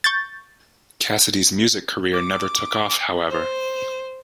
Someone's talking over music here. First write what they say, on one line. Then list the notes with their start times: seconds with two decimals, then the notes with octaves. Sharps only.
Cassidy's music career never took off, however.
0.04 C#6 G6 A6
2.14 D6
3.30 C5